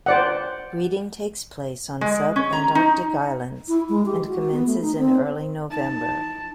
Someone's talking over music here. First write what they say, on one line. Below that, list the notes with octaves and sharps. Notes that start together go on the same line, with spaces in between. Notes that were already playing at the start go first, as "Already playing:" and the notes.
Breeding takes place on subantarctic islands and commences in early November.
C5 D5 F#5
G#3
C#4
A#5
D#4
E4
G#3
G4
F#4
B3
A3
D#4
C4
D#4 A5